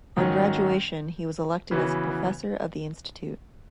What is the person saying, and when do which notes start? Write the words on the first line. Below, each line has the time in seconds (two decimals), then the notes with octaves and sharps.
On graduation he was elected as a professor of the institute.
0.16 G#2 D#3 F#3 C#4
1.71 C#3 E3 B3 F#4